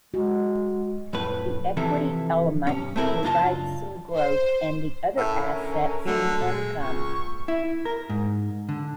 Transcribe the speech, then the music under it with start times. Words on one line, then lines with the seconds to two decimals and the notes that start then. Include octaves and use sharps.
The equity element provides some growth and the other assets the income.
0.14 G#3 F#4
1.13 F2 A2 B4
1.77 C3 E3 F3 E4 A4
2.67 B1 G2 C#4
2.96 A3 B3 C4 E4 A4 A#4
3.23 C#2 F#2 D4 F4 D#5 A5
4.14 C5
5.18 A2 C#4 A#4 E5
5.50 D3
6.05 D3 F#3 A3
6.41 A#2 G#3
6.81 C#2 C#6
7.48 E4
7.85 A#4
8.10 G#2
8.69 D3